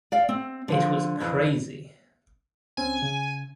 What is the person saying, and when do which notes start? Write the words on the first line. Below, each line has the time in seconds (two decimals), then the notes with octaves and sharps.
It was crazy!
0.12 D5 F5 G5
0.29 C4
0.68 D3 F3
1.20 F2 E3
2.77 C#2 C4 C#4 G#5
3.02 C#3